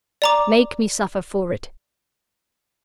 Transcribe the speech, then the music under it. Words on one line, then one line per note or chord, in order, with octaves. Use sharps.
Make me suffer for it.
D5 A#5 D6